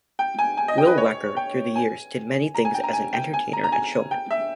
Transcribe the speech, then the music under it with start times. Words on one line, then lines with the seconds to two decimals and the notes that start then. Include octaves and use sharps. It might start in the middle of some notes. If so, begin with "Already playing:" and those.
Will Wecker, through the years, did many things as an entertainer and showman.
0.19 G5
0.39 G#5
0.57 G#5
0.68 D#5
0.78 G5
0.87 B4
0.98 C#5
1.37 G5
1.76 G#5
2.55 A#5
2.65 G#5
2.74 G5
2.83 A#5
2.93 G#5
3.13 G5
3.34 G#5
3.53 A#5
3.64 A#5
3.72 G#5
4.11 G5
4.31 E5